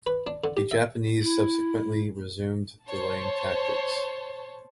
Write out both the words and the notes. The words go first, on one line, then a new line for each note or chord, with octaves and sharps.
The Japanese subsequently resumed delaying tactics.
B4
D4
D3
G4
E5
E4
C5 C#5 A5